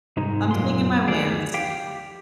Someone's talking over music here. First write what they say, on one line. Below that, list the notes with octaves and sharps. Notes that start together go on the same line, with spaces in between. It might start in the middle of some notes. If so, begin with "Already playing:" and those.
I'm taking my wins.
C2 G#2 G#3 D#4
F#2 A#2 C6
D2 G#4 D5
G4 F5 G5